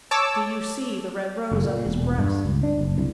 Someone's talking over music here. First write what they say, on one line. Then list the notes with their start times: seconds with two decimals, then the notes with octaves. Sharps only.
Do you see the red rose on his breast?
0.11 C#5 A5 D6 E6
1.52 F#1
1.64 A#2
1.87 E1
2.18 G2
2.45 C#2
2.63 D4
2.79 F#1
2.98 C2